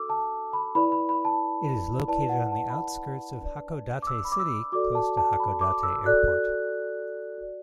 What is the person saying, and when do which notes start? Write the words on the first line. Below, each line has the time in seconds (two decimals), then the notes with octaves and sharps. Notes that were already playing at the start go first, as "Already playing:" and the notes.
It is located on the outskirts of Hakodate city close to Hakodate Airport.
Already playing: D4 F#4 A4 D6 E6
0.10 A5
0.53 B5
0.75 E4 B4 D5 B5
0.92 B5
1.09 B5
1.25 A5
2.08 E4 B4 D5 A5
2.29 F#5
2.52 A5
2.70 B5
2.75 A5
3.41 D4 B4 D5
4.02 D6
4.07 E6
4.25 B5
4.32 D6
4.39 E6
4.72 F#4 A4 D5 D6
4.95 A5
5.17 A5
5.40 B5
5.61 D6
5.83 E6
6.05 F#4 A4 D5 F#6
7.38 F#4 D5